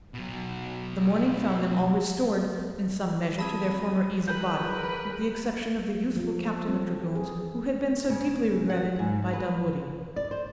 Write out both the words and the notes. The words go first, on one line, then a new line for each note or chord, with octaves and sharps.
The morning found them all restored, in some measure, to their former ease of body, with the exception of the youthful captain of dragoons, who had been so deeply regretted by Dunwoodie.
B2 F#3
C4 A5 B5 D#6 E6 G#6
G#4 A#4 B4 G6
F3
A4
C4
G#4
C#3
F#5
G#2
B4
D5
C5